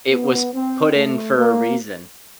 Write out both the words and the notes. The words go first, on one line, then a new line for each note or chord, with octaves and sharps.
it was put in for a reason.
B3
C4
A3
A#3